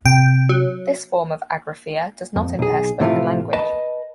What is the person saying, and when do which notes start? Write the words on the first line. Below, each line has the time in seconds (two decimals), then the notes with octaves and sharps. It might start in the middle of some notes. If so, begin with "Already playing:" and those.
This form of agraphia does not impair spoken language.
0.06 C3 G5
0.49 F#3
2.36 F2
2.59 B1 G#4
3.00 A2 C3 E3 F3 A3 F4
3.53 B4 D#5 A5